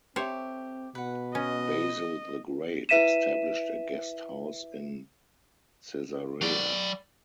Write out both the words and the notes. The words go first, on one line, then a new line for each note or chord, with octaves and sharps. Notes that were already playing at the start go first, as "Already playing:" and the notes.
Basil the Great established a guest house in Caesarea.
C4 G4 A4 C5 C#5 E5
B2 B4 F#5
C#4 D#5
E4 B4 E5 B6 D#7 E7
F#3 D5